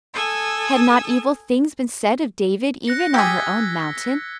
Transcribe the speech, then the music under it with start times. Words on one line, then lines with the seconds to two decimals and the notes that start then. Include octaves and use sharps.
Had not evil things been said of David even on her own mountain?
0.13 A4 G#5 D#6 E6
2.87 F#6 A#6 C#7
3.14 G4 G#4 E6 G#6 B6